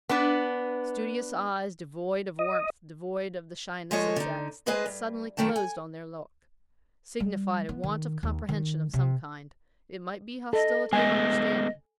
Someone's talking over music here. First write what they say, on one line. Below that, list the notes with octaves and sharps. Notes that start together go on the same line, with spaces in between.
Studious eyes, devoid of warmth, devoid of the shyness of sex, that suddenly closed on their look, signified a want of comprehension of some kind, it might be hostility of understanding.
B3 D4 B4
D#5
F3 G#3 A4 C5 C#5 D#5
D3 D#4
G#3 G#4 B4 C5 D#5 G#5
G2
F#2 D#3 A3 G5 A5
G#5
G3
B3
D#3
D#2
D#3
C3
A4 D#5
G#3 A3 B3 D#5 G#5